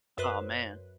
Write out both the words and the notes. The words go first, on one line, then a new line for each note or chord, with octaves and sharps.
Oh, man,
F#2 B4 C5 F#6